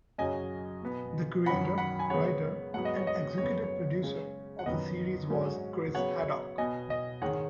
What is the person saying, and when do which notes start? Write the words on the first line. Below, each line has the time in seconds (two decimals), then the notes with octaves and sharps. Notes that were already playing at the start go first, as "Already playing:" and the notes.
The creator, writer and executive producer of the series was Chris Haddock.
0.18 F#2 C#3 F#3 C#4 D#5 G#5
0.82 B2 B3
1.46 F#2 D#3 F#3 C#4 F#5 B5
1.78 F#5 B5
1.99 G#5
2.10 C#3 G#3 B3 C#5 F#5
2.74 G#2 F#3 B3 F#5
2.85 D#5
2.96 C#5
3.07 D#5
3.38 F#2 C#3 B3 C#5
3.64 C#5
4.03 C#3 G#3 C#4
4.59 F#5
4.66 F#2 D#3 B3 D#5
5.30 G#2 F#3 C#4
5.95 C#3 F#3 B3 C#5 F#5
6.58 B2 B3 D#5 G#5
6.90 D#5
7.22 G#2 D#3 G#3 C#5 F#5